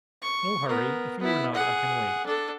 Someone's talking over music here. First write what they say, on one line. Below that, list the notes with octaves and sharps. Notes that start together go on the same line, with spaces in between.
No hurry; if you are not, I can wait.
C#6
B3 A#4
B3 E4
G#4 F#5
D4 A4